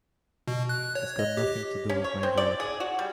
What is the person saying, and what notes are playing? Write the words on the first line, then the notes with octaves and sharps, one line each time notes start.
It's got nothing to do with my vote.
B2
F#6
C#5
D#5
G4
C#4
C#5
C4
D5
G#4
F#4
G3